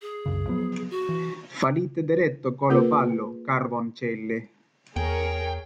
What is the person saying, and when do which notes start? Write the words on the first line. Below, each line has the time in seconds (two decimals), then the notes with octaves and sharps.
Falite dereto colo palo, Carvoncelle!
0.02 G#4
0.26 C2 F#2 C#3
0.47 F3 F#3 B3
0.91 F#4
1.09 E3
2.70 A#3 F4 G#4 A#4 B4
4.96 E2 G#4 A#4 C#5 G5